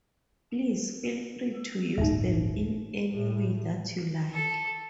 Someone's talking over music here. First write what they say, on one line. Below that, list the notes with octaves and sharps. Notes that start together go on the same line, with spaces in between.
Please feel free to use them in any way that you like.
D1 G1 D#4 E5
A2
A4